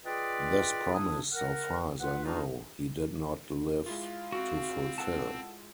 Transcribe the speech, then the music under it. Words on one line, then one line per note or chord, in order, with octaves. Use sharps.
This promise, so far as I know, he did not live to fulfill.
F4 G#4 B4 D5 D#5 G5
D4 E4 D#6
A#4 F#5 F6
F4 B4 F#5
D4 D#4 F4
G#3 E4 F4 F5
C4 F#4
A4 F#5 A5